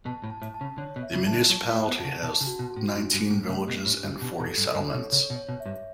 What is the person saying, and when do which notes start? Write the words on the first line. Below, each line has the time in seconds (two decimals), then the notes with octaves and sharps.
The municipality has nineteen villages and forty settlements.
0.06 B2 A5
0.24 A2
0.30 A5
0.42 A2
0.54 A5
0.61 C#3
0.78 D3 C#5
0.96 B2
1.03 E5
1.14 C#3
1.27 A5
1.32 D3
1.50 F#3 A5
1.69 A3
1.75 F#5
1.87 B3
1.99 A5
2.05 C#3
2.22 B2 A5
2.41 C#3
2.47 F#4
2.59 B2
2.71 F#4
2.76 A2
2.95 G2 D4
3.13 G2
3.19 A3
3.31 A2
3.43 A3
3.49 C#3
3.67 B2 G4
3.85 A2
3.92 D4
4.03 G2
4.16 G4
4.22 B2
4.40 B2 A4
4.58 G2
4.64 A4
4.75 G2
4.88 C#5
4.94 B2
5.12 C#3 C#5
5.30 B2
5.36 C#5
5.49 B2
5.60 E5
5.66 G2